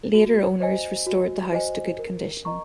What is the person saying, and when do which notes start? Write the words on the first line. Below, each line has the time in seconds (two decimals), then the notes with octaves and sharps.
Later owners restored the house to good condition.
0.14 F#4
0.60 C5 D#5 G#5
1.06 F#4
1.53 C5 D#5 G#5
1.99 A#4
2.45 D#5 A#5 C#6